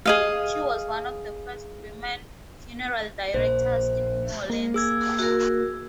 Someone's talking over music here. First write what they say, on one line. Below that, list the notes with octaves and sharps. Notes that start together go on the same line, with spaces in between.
She was one of the first women funeral directors in New Orleans.
G#4 D#5 F5
A#1 A#2 C5
A#3
G#4 E6 G#6
F#4 A#4